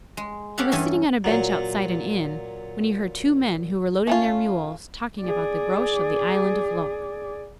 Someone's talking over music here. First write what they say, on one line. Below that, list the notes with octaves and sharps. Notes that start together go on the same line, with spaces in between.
He was sitting on a bench outside an inn, when he heard two men who were loading their mules talking about the Groac'h of the island of Lok.
G#3
C#4 G4 A4 F5 F#5
E2 G2 E3 C#4 A4 G#5
A#2 F#3
A3 C#4 F4
G#4 D5